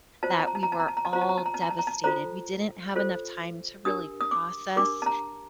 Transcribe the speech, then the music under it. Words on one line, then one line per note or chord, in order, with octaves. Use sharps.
that we were all devastated, we didn't have enough time to really process,
F4 C5 A5
A#5
A5
A#5
A5
A#5
A5
A#5
A5
A#5
A5
F4 C5 A#5
A5
A#5
A5
A#5
A5
A#5
A5
A#5
A5
F4 A4 C5 A#5
F4 A4 C5
D4 G4 A#4 D#6
D#6
D6
D4 G4 A#4 D6
A5
A#5